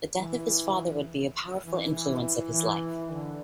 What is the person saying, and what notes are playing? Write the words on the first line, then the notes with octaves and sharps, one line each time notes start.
The death of his father would be a powerful influence of his life.
E3
E3
E3
E3
D3